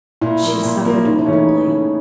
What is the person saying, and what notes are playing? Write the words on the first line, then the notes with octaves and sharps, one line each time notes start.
She suffered horribly.
A#2 E4
F3 A#3
A#2
F3 A#3
C#3 D#4
E4
E3 A3 C#4
D#4
C#3
E3 A3 C#4